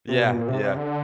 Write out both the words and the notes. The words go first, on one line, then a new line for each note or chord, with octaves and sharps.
Yeah, yeah.
C3
B2
A#2
C3
D3